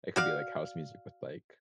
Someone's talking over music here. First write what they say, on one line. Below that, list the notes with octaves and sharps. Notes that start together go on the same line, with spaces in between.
It could be, like, house music with, like
F#4 D5 F5